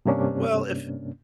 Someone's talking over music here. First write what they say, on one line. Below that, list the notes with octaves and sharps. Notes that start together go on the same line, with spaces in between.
Well, if
G2 C3 A#3 C#4 D4